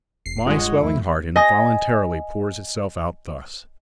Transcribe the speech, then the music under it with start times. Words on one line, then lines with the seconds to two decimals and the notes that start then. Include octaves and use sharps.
My swelling heart involuntarily pours itself out thus.
0.26 E1 E2 C7
0.46 G2 G#3 F4 C#5 D#5 F#5
0.82 D#2 D#3 F3 A3 E4
1.36 D#5 G#5 D#6 A#6